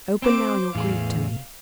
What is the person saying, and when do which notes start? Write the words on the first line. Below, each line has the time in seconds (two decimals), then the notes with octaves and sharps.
Open now your grief to me.
0.22 C4 C5 D6
0.75 E2 A2 G#4 F5